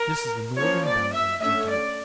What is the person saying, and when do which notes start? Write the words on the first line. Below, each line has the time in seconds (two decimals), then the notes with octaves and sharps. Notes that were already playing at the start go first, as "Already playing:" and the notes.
This is the northern boundary of Judea.
Already playing: A#4
0.57 F3 A#3 C#4 C#5
0.85 D5
1.13 E5
1.41 D3 A3 C#4 E5
1.70 D5